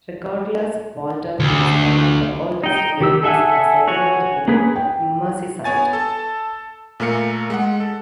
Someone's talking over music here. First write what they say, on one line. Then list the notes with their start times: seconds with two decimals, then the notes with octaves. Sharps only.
Regardless, Walton is one of the oldest areas of settlement in Merseyside.
1.39 D2
2.64 D#4 G5
3.00 D#3 G4 E6
3.23 G#4 A4 E5 F#5 G#5
3.87 F#4 C#5 G#5
4.48 A#3 C#4 G#4 B4
4.76 G5
5.64 B3 C#5 G#5 A6
5.93 A4 A5
7.00 A#2 A3 A#4 F5 C#7
7.50 G#3 F#5
7.80 A4